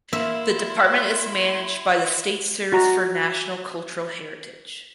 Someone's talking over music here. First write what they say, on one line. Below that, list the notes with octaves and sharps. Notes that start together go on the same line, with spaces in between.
The department is managed by the State Service for National Cultural Heritage.
A#3 E4 E5 C6
F#4 A#5